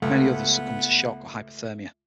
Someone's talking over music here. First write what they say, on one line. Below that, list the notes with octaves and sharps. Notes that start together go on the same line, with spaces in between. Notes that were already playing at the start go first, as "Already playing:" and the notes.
Many others succumbed to shock or hypothermia.
C#2 A3 B3